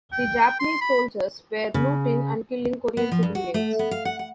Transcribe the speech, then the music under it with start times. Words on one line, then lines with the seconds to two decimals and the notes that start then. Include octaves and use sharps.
The Japanese soldiers were looting and killing Korean civilians.
0.12 G5
0.60 C6
0.81 B5
1.74 C#3
2.97 B3
3.12 F3
3.23 G2
3.35 F#4
3.54 A3
3.79 B3
3.91 F5
4.05 F#5
4.19 F#5